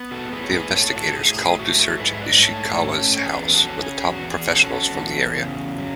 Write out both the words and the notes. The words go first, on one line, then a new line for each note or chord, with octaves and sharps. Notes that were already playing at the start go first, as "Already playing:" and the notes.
The investigators called to search Ishikawa's house were the top professionals from the area.
Already playing: B3
F#4 A4
A2 G#4 B4
C#5
G#4 B4
A2 A4 C#5
F#4 A4
A2 G#4
G#4
A3 F#4
F#4 A4
G#2 G#4 B4
E5
B4 D5
A3 A4 C#5
C#4
C#5
E2 G#4 B4
F#4 A4
C#4
G#4
E2 F#4
G#4
C#4 F#4 A4
F#4 A4
E2
C#3
F#3